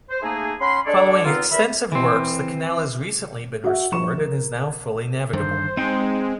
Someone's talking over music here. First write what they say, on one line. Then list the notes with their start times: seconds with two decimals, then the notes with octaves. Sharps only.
Following extensive works the canal has recently been restored and is now fully navigable.
0.10 C5
0.22 A3 A#3 D#4 G#4
0.60 C#4 F#5 B5 C6
0.86 G#3 D4 A4 C#5 D5
1.24 B3 C4 D#4 F4
1.51 E2 A#4 E5 B5
1.92 E3 C4
3.64 F#4 E5 F#5
3.92 A#1 C#6 E7
4.18 A#4
5.34 G2 D3 D#3 C5
5.77 G#3 C4 D#4 G5